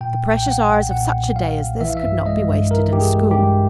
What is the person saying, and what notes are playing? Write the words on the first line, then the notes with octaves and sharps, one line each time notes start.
The precious hours of such a day as this could not be wasted in school.
A#2 G5
B1
G5
F#3 F#5
B1
A#2 F#5
B1
F#3 F5
B1
E3 E5
F5
E5
G2
G#3 D#5
G2
E3 A#4
G2 G4
G#4
G#3
G4
G2